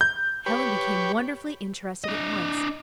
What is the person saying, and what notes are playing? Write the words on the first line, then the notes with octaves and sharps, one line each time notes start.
Helen became wonderfully interested at once.
G6
G4 B4 C#5
D4 D#5